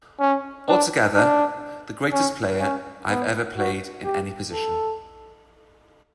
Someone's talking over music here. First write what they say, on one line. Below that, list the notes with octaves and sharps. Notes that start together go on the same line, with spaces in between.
Altogether, the greatest player I've ever played in any position.
C#4
D4
D4
C#4
C#4
B3
F#4
G4
A4